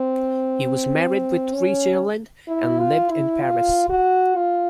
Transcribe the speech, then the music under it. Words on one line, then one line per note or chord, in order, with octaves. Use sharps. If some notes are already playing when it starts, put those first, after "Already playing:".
He was married with three children and lived in Paris.
Already playing: C4
C#4
E4
F4
E4
F4
F#4
F4